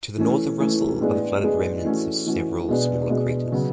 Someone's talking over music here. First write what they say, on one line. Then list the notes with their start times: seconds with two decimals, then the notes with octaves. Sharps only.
To the north of Russell are the flooded remnants of several smaller craters.
0.18 E3 A3 C#4
0.60 E3 A3 C#4
1.01 A2 G#3 B3 D4 G#4
1.43 A2 G#3 B3 D4 G#4
1.85 E3 A3 C#4 F#4
2.26 E3 A3 C#4 F#4
2.69 B2 G#3 B3 D4 G#4
3.10 B2 G#3 B3 D4 G#4
3.52 C#3 F#3 B3